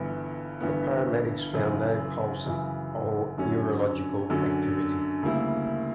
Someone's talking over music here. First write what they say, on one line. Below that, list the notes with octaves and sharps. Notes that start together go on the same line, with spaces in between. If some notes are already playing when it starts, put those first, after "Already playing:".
The paramedics found no pulse or neurological activity.
Already playing: G1 G2 E3 B3
G1 G2 E3 B3
F#2 C#3 E3
F#2 C#3 E3
F#2 D3 F#3 C#4
F#2 D3 F#3 C#4
D2 C#3 G3 A#3 E4